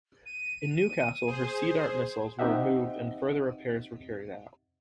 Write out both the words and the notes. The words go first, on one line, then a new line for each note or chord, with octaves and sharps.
In Newcastle, her Sea Dart missiles were removed and further repairs were carried out.
D#7
G#4 C5
C4 D#4 G4 D#5 E5 F#5